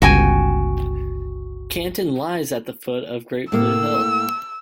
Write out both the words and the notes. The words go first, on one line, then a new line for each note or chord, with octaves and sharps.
Canton lies at the foot of Great Blue Hill.
G1 C#2 F#4 G5 G#5
A2 A#3 E6